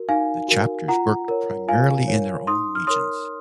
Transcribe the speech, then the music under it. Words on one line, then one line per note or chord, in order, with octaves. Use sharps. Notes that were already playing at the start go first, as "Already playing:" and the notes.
The chapters worked primarily in their own regions.
Already playing: F#4 A#4
D#4 F5 G#5
F#4 A#4
F4 F#5 A#5
A#4 C#5
F4 F5 G#5
A#4 C#5
D#4 C6 D#6
F6
A#4 C#5 C6 D#6